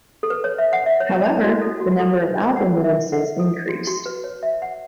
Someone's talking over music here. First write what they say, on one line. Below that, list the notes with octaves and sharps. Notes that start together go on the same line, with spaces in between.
However, the number of album releases increased.
A4
B4
C#5
E5
F#5
E5
C#5
C#5
E4
F#4
A4
F#4
F#4
A4
F#5
E5
F#5
A4
F#4
F#4
B4
C#5
E5
F#5